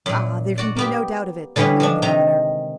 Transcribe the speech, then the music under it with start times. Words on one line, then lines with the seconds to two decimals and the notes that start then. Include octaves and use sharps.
"Ah! there can be no doubt of it," declared the governor.
0.06 F#2 A#2
0.58 F#4 D5
0.76 A#3 B3 G4
1.56 D3 E3 G3 B3 C#4 B4
1.80 F3 G#3 D4
2.02 C3 D#3 D#4 A#5